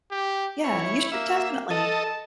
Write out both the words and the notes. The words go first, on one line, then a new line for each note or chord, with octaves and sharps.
yeah, you should definitely.
G4
E4 C#5
A#3 E5
A4 D#5 A5